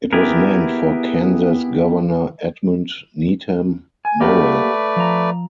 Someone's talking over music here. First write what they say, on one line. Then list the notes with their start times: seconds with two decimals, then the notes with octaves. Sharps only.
It was named for Kansas governor Edmund Needham Morrill.
0.13 B3 E4 G4 G#4 A#4
4.05 G#5
4.20 A3 A#3 G4 B4 D5 F#5
4.96 F3 A#5